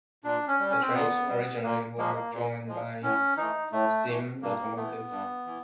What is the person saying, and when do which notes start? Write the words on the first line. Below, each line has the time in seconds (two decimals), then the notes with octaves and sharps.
The trains originally were drawn by steam locomotives.
0.24 A#2 D4
0.48 C#4
0.60 G3
0.69 C#4
0.81 C4
0.94 A#2 B3
1.29 G3
1.63 A#2 A#3
1.98 F3 G#3 A#3
2.16 A#3
2.33 A#2
2.67 F3 G#3
3.02 A2 C#4
3.37 E3 A3 D#4
3.72 A2 A3
4.07 E3 A3
4.42 G2 A#3
4.77 E3 A3 B3
5.11 G2
5.46 E3